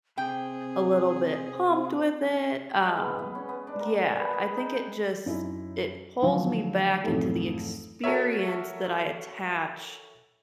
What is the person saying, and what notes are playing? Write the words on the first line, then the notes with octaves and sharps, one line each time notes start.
a little bit pumped with it, um, yeah, I think it just it pulls me back into the experience that I attach
C3 C4 G#4 G5
G#3
B3
B3
C#4
B3
D4
A#4
D4
B4
G#4
D#4
G5
F#2 D#4 E4
D2 D#3 F3 F#3
B1 F2 G#2 E3 A3
F#4 A4 A#4 C#5 E5